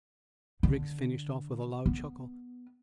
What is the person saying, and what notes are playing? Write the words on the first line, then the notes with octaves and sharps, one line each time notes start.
Griggs finished off with a loud chuckle.
D3
B3